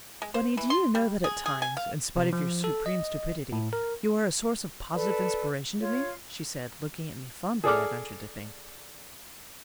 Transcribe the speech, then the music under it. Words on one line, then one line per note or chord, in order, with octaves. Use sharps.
"Bunny, do you know that at times, in spite of your supreme stupidity, you are a source of positive inspiration to me?" she said, looking at me, fondly, I ventured to think.
G#3
C5
E3
C6
G3
G#4
G#4
G#5
F5
C3
F3
A4
D#5
A2
A#4
A4 B4 D5
F4 C#5
G#4 A4 D5 D6 F6